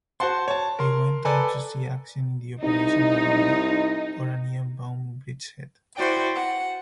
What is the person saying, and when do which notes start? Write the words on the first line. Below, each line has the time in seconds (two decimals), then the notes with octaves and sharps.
He went on to see action in the operations around the Oranienbaum Bridgehead.
0.20 F#4 C5 F#5 A5 C6
0.48 C#5 A5
0.79 A#4 C6
1.25 A4 B4 D5 G#5 A#5
2.62 C2 D#4
5.98 E4 F#4 C5 D5 G5
6.35 F#5